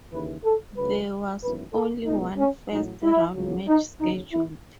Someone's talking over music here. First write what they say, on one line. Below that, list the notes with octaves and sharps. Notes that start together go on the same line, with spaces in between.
There was only one first round match scheduled.
D#2 C#3 E3 B4
A4
C#2 C#3 F#3 A3 B4
G#1 F#2 E3 B3 B4
A4
C#2 B2 G#3 B3 D#4
C#4
A1 A2 F#3 D#4
E4
C#2 C#3 F#3
D#4
D#2 C#3 F#3 D#4
E4